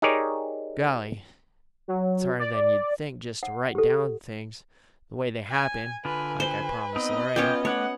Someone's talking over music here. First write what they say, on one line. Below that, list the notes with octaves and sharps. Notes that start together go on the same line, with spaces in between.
Golly! it's harder than you'd think just to write down things the way they happened, like I promised Lorraine.
D#4 G4 G#4 A#4 C#5 D5
F#3
D5
F#5
G4 A4
G#5
D3 F4 B4 G#5
B4 C5
B3 C4 D#4 D#5
B3 C#4 F4 C#5 G5 D6
A3 B4 C#5 F#5 D6